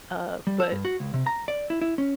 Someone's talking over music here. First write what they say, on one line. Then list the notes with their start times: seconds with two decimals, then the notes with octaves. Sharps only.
Uh, but
0.47 G3
0.60 A4
0.72 G2
0.85 F#4
1.00 C#2
1.14 C3
1.27 A#5
1.48 D5
1.70 E4
1.81 E4
1.98 C#4